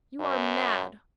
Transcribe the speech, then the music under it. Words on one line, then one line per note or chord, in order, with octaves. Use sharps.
'You are mad!
F#2